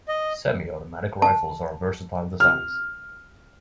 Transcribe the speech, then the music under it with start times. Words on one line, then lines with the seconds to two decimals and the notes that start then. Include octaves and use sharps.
Semi-automatic rifles are versatile designs.
0.08 D#5
1.22 A5
2.40 F6